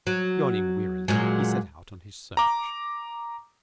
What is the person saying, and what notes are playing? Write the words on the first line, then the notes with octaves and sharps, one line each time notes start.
Yawning wearily he set out on his search.
F#3
A#2 F#3 G#3
A#5 D6